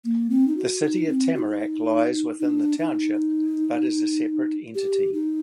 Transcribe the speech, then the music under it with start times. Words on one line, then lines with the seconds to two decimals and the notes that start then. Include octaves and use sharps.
The city of Tamarack lies within the township but is a separate entity.
0.05 A#3
0.30 C4
0.48 D#4
0.57 F#4
0.83 D#4
1.09 C4
1.35 F#4
1.39 D#4
2.40 D#4
2.45 D4
2.79 D#4
4.75 G4
5.13 D#4